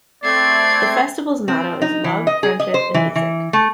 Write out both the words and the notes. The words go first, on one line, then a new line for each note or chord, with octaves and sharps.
The festival's motto is "Love, Friendship, and Music".
A3 C4 D5 G#6 C7
C4
D#4
E3
D#5
G#4
D#5
C5
E3
E3
A3